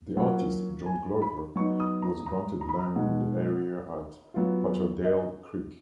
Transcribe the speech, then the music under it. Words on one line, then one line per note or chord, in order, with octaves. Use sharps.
The artist John Glover was granted land in the area at Patterdale creek.
F#3 A#3 C#4 F4 F#5
G#5
B5
F#3 B3 D#4 C#6
D#6
A#5
A#5
A#5
B5
A#5
B2 G#3 D#4 F#5
F#3 B3 F4
D#5